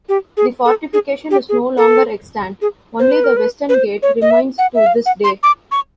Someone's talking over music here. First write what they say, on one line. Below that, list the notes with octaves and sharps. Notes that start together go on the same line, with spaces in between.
The fortification is no longer extant; only the western gate remains to this day.
G4
G#4
A4
G#4
G4
G#4
A4
G#4
C5
B4
A#4
B4
B4
C5
C#5
D#5
E5
F#5
E5
F5
F#5
C6
D6
C#6